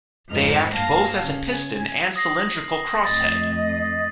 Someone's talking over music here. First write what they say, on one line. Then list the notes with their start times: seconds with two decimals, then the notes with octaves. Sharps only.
They act both as a piston and cylindrical crosshead.
0.29 F2 G#2 D#4 F6
0.71 G2 A#3 F5 A5 A#6
1.23 C#3
1.53 G#5
2.16 D#6 A#6 C7
3.05 F2 A3 D#5 A6